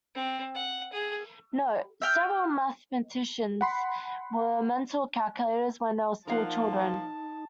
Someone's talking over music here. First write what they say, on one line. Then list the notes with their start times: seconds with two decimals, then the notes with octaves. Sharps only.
Note: Several mathematicians were mental calculators when they were still children.
0.15 C4
0.55 F#5
0.93 G#4
2.02 E5 G5 F6
3.61 F#5 B5 C6
6.27 A#2 F3 D#4 A#4 F5 F#5 A5